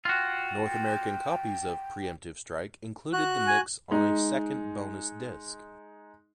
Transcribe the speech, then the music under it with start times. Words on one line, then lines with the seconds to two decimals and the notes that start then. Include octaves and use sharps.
North American copies of "Preemptive Strike" included the mix on a second bonus disc.
0.05 F4 F#4 G5
3.13 F#4 F#6
3.47 G#5
3.91 G#3 D#4